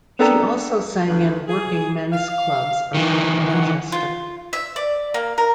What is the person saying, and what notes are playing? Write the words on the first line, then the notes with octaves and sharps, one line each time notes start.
She also sang in working men's clubs around Manchester.
A#3 B3 D4 A4 G5 A#5
D2 B4
G#4
F5
D#3 E3
F#5
F4
E5
D5
A#3
A#4